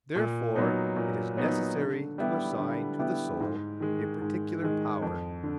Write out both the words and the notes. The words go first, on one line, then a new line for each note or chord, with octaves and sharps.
Therefore it is necessary to assign to the soul a particular power.
A#2
F#3 B3 D#4
A#2
F#3 B3 D#4
D3
G3 B3 E4 G4
D3
G3 B3 E4 G4
G#2
D#3 G#3
G#2
D#3 G#3
F2
D3